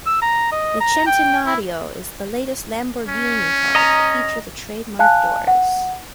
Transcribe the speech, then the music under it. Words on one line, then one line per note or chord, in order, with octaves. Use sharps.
The Centenario is the latest Lamborghini car to feature the trademark doors.
E6
A#5
D#5
A#5
G5
E4
C#4
D#5 A#5
F5 G#5 A5 F#6
F#5